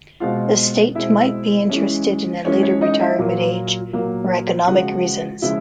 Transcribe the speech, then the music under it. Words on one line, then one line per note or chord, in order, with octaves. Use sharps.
The state might be interested in a later retirement age for economic reasons.
B2 G#3 C4 F4 F5
B2 G#3 C4 E4 E5
E3 G#3 C#4
E3 G#3 C#4 C#5
C#5
D#4 D#5
D#5
E4 E5
A#2 F#3 A#3
A#2 F#3 A#3
C#3 F3 G#3 F#4 F#5
C#3 F3 G#3 E4 E5